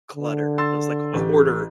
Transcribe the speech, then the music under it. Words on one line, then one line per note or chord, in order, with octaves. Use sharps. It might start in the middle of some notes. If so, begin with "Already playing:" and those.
clutter. It was, like, a hoarder
D3
C6 E6 A6
A1 G4